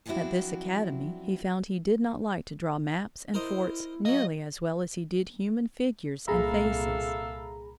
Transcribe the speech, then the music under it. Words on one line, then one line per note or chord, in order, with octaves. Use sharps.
At this academy he found he did not like to draw maps and forts nearly as well as he did human figures and faces.
F3 F#3 C4 D4 E4 F#4
E4 A#4 C5 D#5
F#3 A#3 D#5
C2 A#2 G#4 A4 E5 F5 A#5 B5